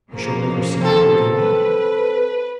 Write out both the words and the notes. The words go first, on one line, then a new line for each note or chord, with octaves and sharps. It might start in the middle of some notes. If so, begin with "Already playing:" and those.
"We shall never see you again?"
C#3 F3 A#3
C4 A4
B4